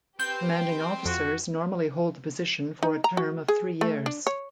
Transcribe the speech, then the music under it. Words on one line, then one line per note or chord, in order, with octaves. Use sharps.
Commanding Officers normally hold the position for a term of three years.
C4 G4 B4 G5 G6
F2 F#4
D#4
A#5
F#4
G#4
A3
D4
C#5